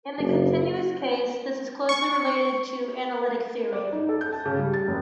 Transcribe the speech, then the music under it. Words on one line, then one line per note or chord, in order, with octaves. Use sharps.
In the continuous case, this is closely related to analytic theory.
F#1
C#6
D5
D#4
A4
G6
A5
C#3
G3
A6
F#1